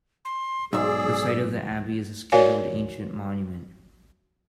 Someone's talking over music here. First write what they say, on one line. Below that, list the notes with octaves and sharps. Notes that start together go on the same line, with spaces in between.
The site of the abbey is a Scheduled Ancient Monument.
C6
B1 G#2 G#4 D5 E6
F#4 A#4 C#5 D5 F5 G#5